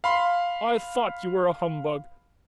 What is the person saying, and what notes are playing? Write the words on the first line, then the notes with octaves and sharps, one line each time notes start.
I thought you were a humbug!
F5 B5 C6